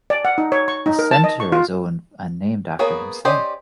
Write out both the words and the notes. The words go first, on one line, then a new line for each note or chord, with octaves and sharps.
The Center is owned and named after himself.
D5
F#5
D#4
C#5
C#6
D#4
A#4
A5
D#5
C#6
F4
A#3 B3 G#4 C#5
C#4 G4 C5 D5 D#5